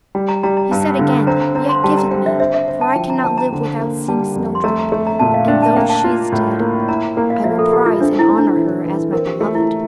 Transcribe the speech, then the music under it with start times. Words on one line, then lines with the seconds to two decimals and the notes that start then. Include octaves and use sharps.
He said again, "Yet give it me; for I cannot live without seeing Snowdrop, and though she is dead, I will prize and honour her as my beloved."
0.15 G3
0.29 A#5
0.43 G3 A#5
0.57 A#5
0.71 G2 A5
0.90 G5
0.99 D3
1.08 A#5
1.27 C4 A#5
1.41 A#5
1.55 C4 A#5
1.69 C6
1.84 G3 A5
1.97 A#5
2.11 C4 G5
2.26 E5
2.40 C5 E5
2.54 E5
2.68 C5
2.81 A5
2.96 F3 G5
3.10 A#5
3.24 C4 A5
3.38 A#5
3.52 D3
3.79 A#3
4.08 G3 A5
4.36 F2
4.55 C6
4.64 A3 A#5
4.79 A#5
4.92 A3
5.07 A#5
5.19 A#2 A5
5.34 F5
5.48 D4 G5
5.62 A5
5.76 A#3 G5
5.90 A5
6.04 F4
6.32 A2
6.60 A#3
6.88 E4 A#5
7.03 A#5
7.16 A#3 G5
7.30 F5
7.44 F3 E5
7.59 A4
7.73 G4 A4
7.86 F4
8.00 C4 D4
8.19 E4
8.29 C4
8.38 D4
8.57 E3
8.85 E3
9.12 C4 A#4
9.27 G4
9.40 A3 F4
9.55 E4